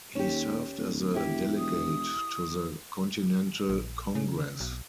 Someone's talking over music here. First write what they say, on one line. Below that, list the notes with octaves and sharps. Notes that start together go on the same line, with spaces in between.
He served as a delegate to the Continental Congress.
D#2 C#4 G4
D1
E1 E4 G4
D#6
A#1
C#3
B1